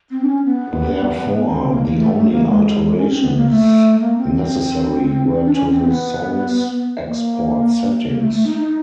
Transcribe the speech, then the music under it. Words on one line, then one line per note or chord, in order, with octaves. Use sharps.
Therefore, the only alterations necessary were to the songs' export settings.
C4
D4
C#4
B3
C4
A#3
A#3
A3
A3
A#3
G#3
C#4
C4
B3
A#3
A3
A#3
C4
C4
D4
C#4
C4
B3
A#3
A#3
A3
A3
D#4
D#4